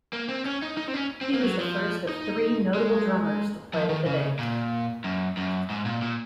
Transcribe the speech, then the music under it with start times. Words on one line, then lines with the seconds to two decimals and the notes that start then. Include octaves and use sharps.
He was the first of three notable drummers to play with the band.
0.13 A#3
0.29 C4
0.45 C#4
0.62 D#4
0.78 D#4
0.88 C4
0.94 C#4
1.21 C4
1.33 A#3
1.43 F#3
1.60 F3
2.09 D#4
2.74 G#3
3.73 F3
3.90 D#3
4.06 C#3
4.39 A#2
5.04 F#2
5.37 F#2
5.70 G#2
5.86 A#2
6.02 A#2